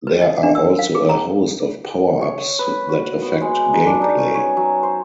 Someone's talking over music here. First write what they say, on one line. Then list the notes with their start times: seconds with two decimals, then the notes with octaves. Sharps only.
There are also a host of power-ups that affect gameplay.
0.07 B4
0.22 D#5
0.43 D4
0.55 E6
0.79 F5
0.95 G#4
1.09 A#5
2.21 C#5
2.59 B4
2.89 F#4
3.22 B3
3.41 G#3
3.73 D#4
3.87 D4
4.02 D#4
4.18 C#4
4.35 C#5
4.57 F#3
4.83 C5